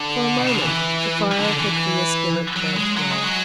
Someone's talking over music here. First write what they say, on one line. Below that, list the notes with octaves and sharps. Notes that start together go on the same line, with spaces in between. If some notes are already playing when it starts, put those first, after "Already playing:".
For a moment the fire of her clear spirit burnt low.
Already playing: D3
B2
C#3
D3
E3
E3
D3
E3
F#3
G#3
F#3
G#3
F#3